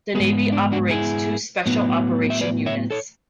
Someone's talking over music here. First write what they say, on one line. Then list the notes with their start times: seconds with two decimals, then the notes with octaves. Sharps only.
The navy operates two special operation units.
0.15 G#2 G#3 B3 G#4 B4
0.52 D4
0.72 D4 F#4
0.90 E4 G#4
1.66 A2 F#3 B3
2.30 E5
2.41 B4 D5
2.66 C#5 E5
2.91 A4 C#5